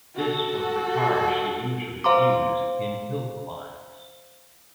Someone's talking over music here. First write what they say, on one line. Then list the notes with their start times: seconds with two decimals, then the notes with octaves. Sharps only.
This was the car she usually used in hillclimbs.
0.15 F#4 A4
2.04 C5 F5 A#5 C6 D6